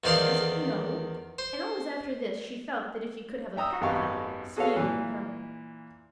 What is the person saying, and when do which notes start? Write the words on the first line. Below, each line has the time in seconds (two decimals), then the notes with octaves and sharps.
"He doesn't know!" and always after this she felt that if you could have a pet pirate Smee would be her one.
0.04 E2 D#3 C5 D5 F5 C6
1.39 C5
3.56 E5 G5 A#5 D#6 E6
3.81 G#1 F#2 B3 G4 F5 C#6
4.57 F#4 G#4 A4 B4 C#5 F5
4.76 A#2 E3